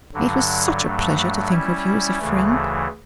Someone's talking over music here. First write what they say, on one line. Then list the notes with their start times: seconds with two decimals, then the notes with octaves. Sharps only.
It was such a pleasure to think of you as a friend.'
0.14 G2 D3 F#3
0.82 G2 F#3 A3
1.50 G3 C#4 E4
2.19 D2 C#3 E3 A3